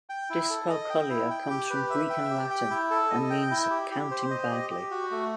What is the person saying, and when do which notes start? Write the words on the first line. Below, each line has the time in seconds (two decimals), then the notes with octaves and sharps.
Dyscalculia comes from Greek and Latin and means "counting badly".
0.09 G5
0.30 E4
0.50 A4
0.69 D#5
0.90 G5
1.10 E4
1.30 G5
1.50 G4
1.70 B4
1.90 E5
2.10 G5
2.30 G4
2.50 G5
2.70 E4
2.90 A4
3.10 D#5
3.30 G5
3.51 E4
3.70 G4
3.91 G4
4.11 C5
4.31 D#5
4.51 G4
4.71 G4
4.91 F#4
5.11 A3